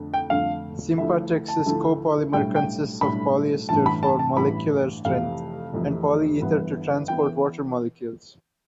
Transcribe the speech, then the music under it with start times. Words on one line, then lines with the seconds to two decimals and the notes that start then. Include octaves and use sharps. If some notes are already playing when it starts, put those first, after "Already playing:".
SympaTex's co-polymer consists of polyester for molecular strength, and polyether to transport water molecules.
Already playing: F2 D3 A3 D4
0.14 G5
0.29 F2 D3 A3 D4 F5
0.98 D2 D3 F3 A3 E4 E5
1.48 A5
1.66 D2 D3 F3 A3 E4
2.33 B1 A2 G3 D4 G5
2.56 G5
3.01 B1 A2 G3 D4 B5
3.69 A1 G2 E3 A5
3.86 B5
4.03 A5
4.19 A5
4.37 A1 G2 E3 B5
5.05 F1 F2 C3 E3 F5
5.73 F1 F2 C3 E3
6.40 G1 G2 E3 B3
7.08 E3 B3 G5